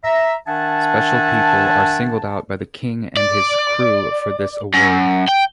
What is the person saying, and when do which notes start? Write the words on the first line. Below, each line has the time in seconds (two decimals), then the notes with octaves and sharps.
Special people are singled out by the king and his "Krewe" for this award.
0.04 E5 A#5
0.47 D#3 D4 E5 F#5 G#5 A5
3.17 D5
4.74 F#2
5.29 G5